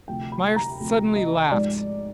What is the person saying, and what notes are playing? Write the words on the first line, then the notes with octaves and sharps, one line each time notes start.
Myerst suddenly laughed.
D2 C3 F3 G5
B5
A#5
D2 C3 F3
D#5
G#2 F3 G#3 D5